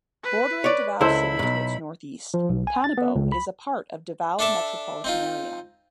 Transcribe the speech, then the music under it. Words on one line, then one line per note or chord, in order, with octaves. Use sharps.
Bordering Davao City to its northeast, Panabo is a part of Davao Metropolitan Area.
B4
C#5 D5
C#2 E4 A4 C5 B5
B1 F#2
F3
B1
G#5
A6
B3
C#2
B5
D4 A4 D5 E5 A5
C4 D#4 F4